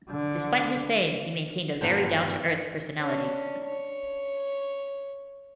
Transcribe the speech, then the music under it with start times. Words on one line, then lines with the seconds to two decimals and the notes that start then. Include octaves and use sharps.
Despite his fame, he maintained a very down-to-Earth personality.
0.10 D3
1.81 G2 A#2 D#3 B3
2.98 C#4 D4
3.65 C#5